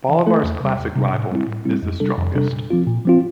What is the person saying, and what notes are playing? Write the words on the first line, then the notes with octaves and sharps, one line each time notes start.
Bolivar's classic rival is The Strongest.
E3
A3 E4 A4
E2
C3 G3
E2
C3 G3
A2
G3 C4 E4
A2
G3 C4 E4
F2
C3 G3 D4 A4
F2
C3 G3 D4 A4
A#2
F3 C4 F4
A#2
F3 C4 F4